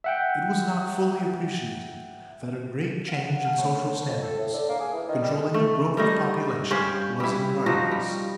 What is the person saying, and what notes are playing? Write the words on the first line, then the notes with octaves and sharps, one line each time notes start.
It was not fully appreciated that a great change in social standards, controlling the growth of population, was in progress.
E5 F#5 G5
F5 F#5
A5 F6
A3 B3 C5 C#5
A3
F2
A4
A2
D3
A#3
G#4
E3
D#3
G3
G#3
A3
G3 A3 D#4
G2 C#4 G4 C5
G3 E4
F3 D#4 F#4
G3